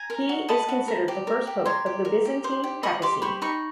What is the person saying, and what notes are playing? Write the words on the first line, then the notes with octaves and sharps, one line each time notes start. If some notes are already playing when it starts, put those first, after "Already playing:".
He is considered the first pope of the Byzantine Papacy.
Already playing: G#5 A#5
A#4
F#4
D#5 A5 B5
F#4
A#4
G4
A#4
G4
C#5 A#5 C6
G4
A#4
G4
C5
G4
D#5 B5 C#6
G4 C6 D6
C5 B5 C#6
D#4 B5 C#6